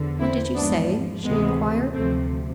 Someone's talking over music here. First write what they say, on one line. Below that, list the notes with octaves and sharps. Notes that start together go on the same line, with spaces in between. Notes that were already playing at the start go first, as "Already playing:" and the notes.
"What did you say?" she inquired.
Already playing: E2 D3 F3
C4 E4
G#1 G#2 F3 B3 D4
D2 C3 E3 G#3 B3
D2 C3 F3 A3 C4